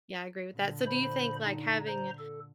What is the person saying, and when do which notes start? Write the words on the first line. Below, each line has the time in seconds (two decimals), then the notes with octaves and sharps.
Yeah, I agree with that. So do you think, like, having
0.54 A#2 D3
0.86 C5 B5
1.45 D#4
1.87 C5 A#5
2.18 A4